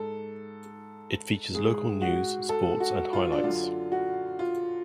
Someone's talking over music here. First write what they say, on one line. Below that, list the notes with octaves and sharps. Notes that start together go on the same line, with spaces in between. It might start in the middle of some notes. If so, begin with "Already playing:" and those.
It features local news, sports, and highlights.
Already playing: G#2 A4
G#2 G#4
F#4
A4
F#4
F4
D4
F#2 D3 F4
F#4
F4